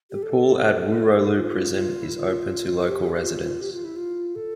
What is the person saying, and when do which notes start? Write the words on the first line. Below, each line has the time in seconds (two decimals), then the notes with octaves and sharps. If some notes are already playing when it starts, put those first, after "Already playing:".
The pool at Wooroloo Prison is open to local residents.
0.11 G4
0.23 A4
1.35 F4
1.73 F4
2.02 E4
2.11 F4
2.86 G4
3.15 G4
3.23 F4
3.42 F4
3.61 G4
3.72 F4
3.84 E4
3.96 F4
4.35 A4